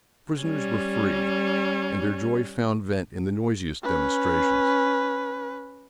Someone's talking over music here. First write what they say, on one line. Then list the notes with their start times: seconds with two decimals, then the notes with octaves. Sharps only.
The prisoners were free, and their joy found vent in the noisiest demonstrations.
0.42 G3 C#4
3.83 C#4 B4